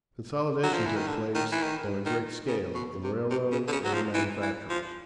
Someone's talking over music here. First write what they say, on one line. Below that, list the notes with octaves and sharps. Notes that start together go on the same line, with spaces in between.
Consolidation took place on a great scale in railroads and in manufactures.
F#3
F3
E3
D#3
D3
D#3
E3
D#3
D#3
C#3
B2
C3
C3
C#3
D3
C#3
F#3
F3
E3
E3
F3